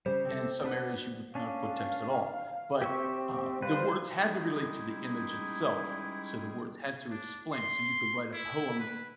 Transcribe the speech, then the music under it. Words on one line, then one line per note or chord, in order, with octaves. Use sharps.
and some areas, you would not put text at all, but, uh, the words had to relate to the image itself, so the words had to explain, so you could write a poem
C#3 G3 C5
C4 G4 A4
D4 B4 F#5
C#4 D4 F5
C4 G4 E5 C#6
G3 B4 C5 F5
G3 G#3 C#4 D#4 E4 G#4
D4
C6
E4
B4